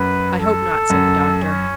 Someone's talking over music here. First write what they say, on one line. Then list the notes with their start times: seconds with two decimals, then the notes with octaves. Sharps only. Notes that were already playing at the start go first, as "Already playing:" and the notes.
"I hope not," said the doctor.
Already playing: F#2 B4
0.39 A4
0.90 F#2
1.43 C#4